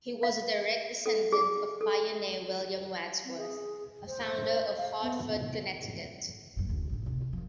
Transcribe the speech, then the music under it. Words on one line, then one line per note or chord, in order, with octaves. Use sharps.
He was a direct descendant of pioneer William Wadsworth, a founder of Hartford, Connecticut.
F5
A4
G#4
A4
C4
G#4
C5
F5
B3
F#2 A#2
F#1 D2
A#1 G#2
E1 C3
C#3
D#3 F3